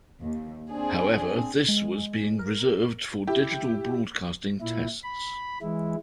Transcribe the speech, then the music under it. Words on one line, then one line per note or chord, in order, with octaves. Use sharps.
However, this was being reserved for digital broadcasting tests.
D#2
C4 D4 G#4
G#3
A#4
E4 G4
A#2 E4
B5
E3 G#3 E4